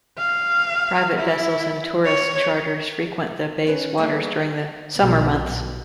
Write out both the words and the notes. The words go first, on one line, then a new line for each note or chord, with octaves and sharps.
Private vessels and tourist charters frequent the bay's waters during the summer months.
F5
E4
C#5
C#4 B4 C#5
G3 A#3 B3 D4 G#4 A4
B1 B2